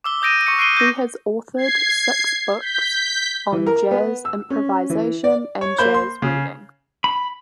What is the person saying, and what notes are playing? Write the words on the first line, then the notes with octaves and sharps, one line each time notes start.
He has authored six books on jazz improvisation and jazz reading.
D6 E6 G7
D#6 G6 A#6 D7 D#7
C#6 C#7 D#7
F#6 C7 D7 D#7 G7
G6 A#6
G#6 C7
G6 B6
E3
A#4
B3
E6
C#4
E3
D5
C#5
A#3 C5 B5 G6
C6
C#3
B5